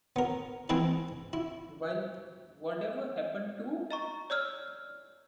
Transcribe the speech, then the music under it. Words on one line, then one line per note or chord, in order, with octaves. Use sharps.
While Whatever Happened to...
B3 A#4
E3 G#3 C4 E4 B4
E4
D#5 A#5 C#6
C#5 D5 E6 F6